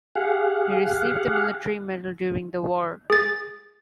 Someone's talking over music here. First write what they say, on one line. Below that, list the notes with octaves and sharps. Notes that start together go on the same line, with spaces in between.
He received the Military Medal during the war.
G4 G#4 F5 F#5
G#4 A6